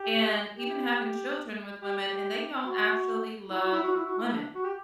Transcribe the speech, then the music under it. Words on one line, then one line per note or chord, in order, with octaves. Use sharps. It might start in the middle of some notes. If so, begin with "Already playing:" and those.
and even having children with women, and they don't actually love women.
Already playing: G4
G4
G4
F#4
E4
F#4
E4
F#4
E4
F#4
E4
D4
F#4
G4